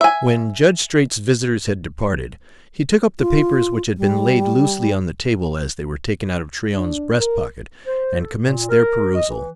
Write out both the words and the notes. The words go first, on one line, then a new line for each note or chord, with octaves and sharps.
When Judge Straight's visitors had departed, he took up the papers which had been laid loosely on the table as they were taken out of Tryon's breast-pocket, and commenced their perusal.
E5 G#5
F4
G3
D4
A#4
C5
A4
A#2
A#4
D#5
E3